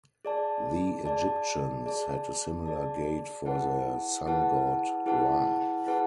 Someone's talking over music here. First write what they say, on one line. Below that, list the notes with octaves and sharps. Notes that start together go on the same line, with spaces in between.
The Egyptians had a similar gate for their Sun-God, Ra.
G#4 D5 A5
G#4 D5 A5
G#4 D5 A5
G#4 D5 A5
E4 G#4 B4 F#5 A5
E4 G#4 B4 F#5 A5
E4 G#4 B4 F#5 A5
E4 G#4 B4 F#5 A5